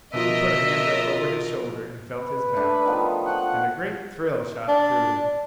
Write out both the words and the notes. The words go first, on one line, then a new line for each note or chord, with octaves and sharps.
He put a hand up over his shoulder and felt his back, and a great thrill shot through him.
B2 F3 F4 A#4 D#5 E5
B4
A3 D4 E5
D#3 F3 B3
F3 F#5 G5 C#6
D4